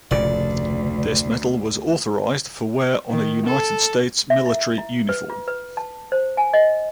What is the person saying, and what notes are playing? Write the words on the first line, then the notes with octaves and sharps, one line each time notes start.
This medal was authorized for wear on a United States military uniform.
F1 D2 A#2 C#3 D5
D#3
A4
E5
E4
E4
B4
F4
B4
A5
C5
G#5
D#5